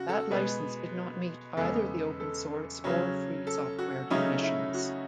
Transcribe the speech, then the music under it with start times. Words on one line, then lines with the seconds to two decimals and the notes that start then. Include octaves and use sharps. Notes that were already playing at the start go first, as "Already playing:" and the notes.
That license did not meet either the open source or free software definitions.
Already playing: C#3 F#4
0.09 A4
0.31 B2 G#3 B3 B4
1.57 E2 C#3 G#3 B3 A4
2.20 A4
2.84 C#3 F#3 C#4
3.47 A4
3.79 F#4
4.10 C#3 F#3 A3 C#4 D#4
4.43 E4
4.74 F#4